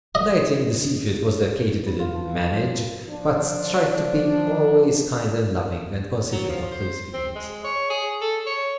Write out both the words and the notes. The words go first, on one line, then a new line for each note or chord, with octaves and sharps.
But I think the secret was that Katy didn't "manage," but tried to be always kind and loving, and considerate of Phil's feelings.
D#5
B4
F4
D4
A5
F3 D4
F#3
F3
C5
C4
G#3
C#5
G#4
A4
C#5